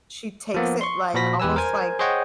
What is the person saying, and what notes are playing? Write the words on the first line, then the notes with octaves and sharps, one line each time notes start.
She takes it, like, almost like
F3 A#3 B3
C6 C#6
A#2 F3 F#4 B5 A#6 B6
E2 G4 B4 G#5 E6
A#4 C5 G#5 G#6
G#4 C5 C#5 D#5 F#5 G5